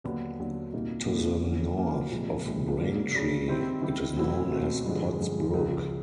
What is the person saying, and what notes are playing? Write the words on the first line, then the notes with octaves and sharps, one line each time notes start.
To the north of Braintree it is known as Pods Brook.
D#2 D3 F#3 B3 D4
D#2 D3 F#3 B3 D4
C2 A#2 G3 A#3 D#4
C2 A#2 G3 A#3 D#4
D3 F3 A#3 C#4 F#4
D3 F3 A#3 C#4 F#4
C2 A#2 F3 G#3
C2 A#2 F3 G#3
C#3 F#3 A#3 D4
C#3 F#3 A#3 D4
D#3 G3 C4 E4 G4
D#3 G3 C4 E4 G4
B2 F#3 A3 C4 E4
B2 F#3 A3 C4 E4
G2 D3 F3 G#3
G2 D3 F3 G#3
C#2 C#3 F3